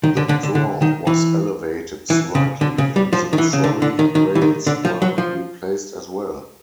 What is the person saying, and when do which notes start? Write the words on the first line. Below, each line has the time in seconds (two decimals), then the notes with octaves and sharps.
The draw was elevated slightly and the trolley rails were replaced as well.
0.04 D#3
0.17 D3
0.29 D3
0.43 D3
0.55 D3
0.82 D#3
1.07 E3
2.10 E3
2.35 C#3
2.61 D3
2.78 C#3
2.96 G3
3.13 F3
3.33 D#3
3.38 E3
3.53 C#3
3.64 D3
3.82 D3
3.99 D#3
4.15 D#3
4.35 E3
4.42 D#3
4.67 D3
4.85 F3
5.02 F#3
5.18 F3